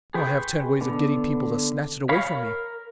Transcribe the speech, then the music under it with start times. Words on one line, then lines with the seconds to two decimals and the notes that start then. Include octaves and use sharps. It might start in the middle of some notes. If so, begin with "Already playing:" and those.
I have ten ways of getting people to snatch it away from me.
0.14 G#4 B4 G5 C6 C#6
0.81 D3 B3
2.09 C#5 F5 B5
2.31 A#4